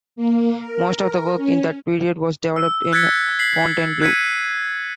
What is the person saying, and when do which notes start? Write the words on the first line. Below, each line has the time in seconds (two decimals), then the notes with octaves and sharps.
Most of the work in that period was developed in Fontainebleau.
0.16 A#3
0.58 A#4
0.99 A#4
1.36 C#4
2.56 E6
2.92 E6 F#6 G#6 A6 B6 C#7
3.39 B6 C7 F#7
4.02 F#6 G#6 B6 C#7 D#7